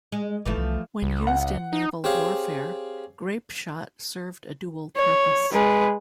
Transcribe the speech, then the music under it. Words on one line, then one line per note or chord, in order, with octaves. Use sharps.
When used in naval warfare, grapeshot served a dual purpose.
G#3
G1 E3 F3 A3
C2
C#2
F#5
D#4
C4 G4 G#4 C#5 F5
C#5
G#3 B4